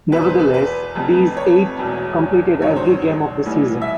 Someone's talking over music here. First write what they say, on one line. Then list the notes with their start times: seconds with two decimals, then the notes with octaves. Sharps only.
Nevertheless, these eight completed every game of the season.
0.12 E2 B2 F#3 B3 B4
0.26 C5
0.39 B4
0.54 B4
0.95 F1 F2 C3
1.37 C#5
1.78 E1 E2 B2 F#3
2.62 G#1 G2 D#3 F#3 C#5
2.76 C5
2.89 C#5
3.45 A1 A2 E3 G3
3.81 E5